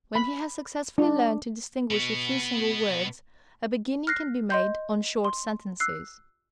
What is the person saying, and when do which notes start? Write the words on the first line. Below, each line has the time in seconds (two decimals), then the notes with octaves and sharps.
When he has successfully learned to distinguish a few single words, a beginning can be made on short sentences.
0.15 B5
0.98 D4
1.91 B2 B3
4.07 F6 F#6 A#6 C7
4.50 D#5 C6 G6
5.25 C6
5.80 E6 F#6 C7